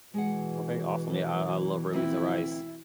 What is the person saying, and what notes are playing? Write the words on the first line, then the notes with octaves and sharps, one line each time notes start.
M okay, awesome. Yeah, I I love red beans and rice
B2 E3 G#3 G#4 F#5
D2 C4 E4 B4